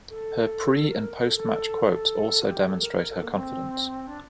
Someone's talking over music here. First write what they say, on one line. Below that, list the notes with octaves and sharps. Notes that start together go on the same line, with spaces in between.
Her pre- and post-match quotes also demonstrate her confidence.
A4
A#4
A4
A4
A4
F4
G4
A4
A#4
A4
A#3
C4
D4